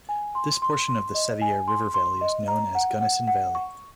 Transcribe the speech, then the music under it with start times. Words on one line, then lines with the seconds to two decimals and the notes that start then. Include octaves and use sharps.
This portion of the Sevier River Valley is known as Gunnison Valley.
0.09 G#5
0.35 C6
0.62 C6
0.88 C6
1.14 D#5
1.41 G#5
1.68 C6
1.94 C6
2.21 D#5
2.48 A#5
2.75 F#5
3.01 F#5
3.27 F#5
3.55 C#6